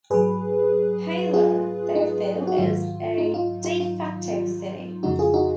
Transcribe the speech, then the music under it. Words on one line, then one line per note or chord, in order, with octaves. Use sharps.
Hailar, therefore, is a "de facto" city.
G#2 F#3 G#4 B4
F4 G#4
D#4
F#4
G#2 D#3 F#3 F4
D#4
F4
F4
F4
F2 C#3 G#3 D#4 F#4
F4 G#4
D#4 F#4